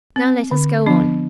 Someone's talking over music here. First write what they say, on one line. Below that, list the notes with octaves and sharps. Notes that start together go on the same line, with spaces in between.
Now let us go on.
C4
D3
F3 B3 D4